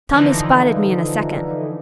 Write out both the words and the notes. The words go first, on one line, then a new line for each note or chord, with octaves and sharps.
'Tommy spotted me in a second.
D3 E3 F3 D#4